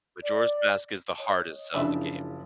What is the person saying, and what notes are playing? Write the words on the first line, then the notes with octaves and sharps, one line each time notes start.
Majora's Mask is the hardest Zelda game.
D5
C#5 D#5
F#1 C#3 E3 F3 D4 E5 B5